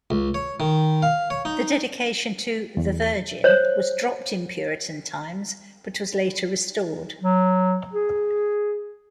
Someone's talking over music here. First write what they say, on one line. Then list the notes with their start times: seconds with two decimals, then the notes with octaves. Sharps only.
The dedication to "-the-Virgin" was dropped in Puritan times but was later restored.
0.10 C#2
0.34 C#5
0.60 D#3
1.02 F5
1.30 C#5
1.45 D#4
2.77 E2
3.44 C5 C#5
7.21 F#3
7.93 G#4